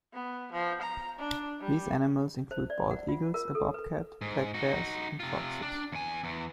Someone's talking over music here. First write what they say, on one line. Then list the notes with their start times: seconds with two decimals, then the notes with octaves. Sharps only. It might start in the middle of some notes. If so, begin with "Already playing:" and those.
These animals include bald eagles, a bobcat, black bears and foxes.
0.14 B3
0.52 F3
0.82 A#5
1.19 D4
1.61 G3
2.51 C5
2.70 D5
2.91 F#5
3.08 F4
3.34 A#4
3.55 A4
3.74 B4
4.21 G#2
4.54 D#4 F#4
5.20 C3 F4
5.62 D4
5.92 E2 G#5
6.24 E2